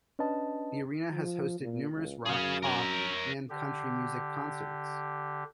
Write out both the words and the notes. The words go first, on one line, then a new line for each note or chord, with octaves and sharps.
The arena has hosted numerous rock, pop, and country music concerts.
C#4 D4 B4 D#5 A5
F3
A#2
C#2
F#2 G#4 F5
A#4 C#5
D3 G4